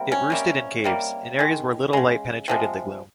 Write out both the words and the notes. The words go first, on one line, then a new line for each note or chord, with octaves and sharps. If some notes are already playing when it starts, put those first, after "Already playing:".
It roosted in caves, in areas where little light penetrated the gloom.
Already playing: C3 G3 A#3
C#4
C3 G3 A#3
C3 G3 A#3
D#3 G#3
C#3 G#3
C3 F3 G#3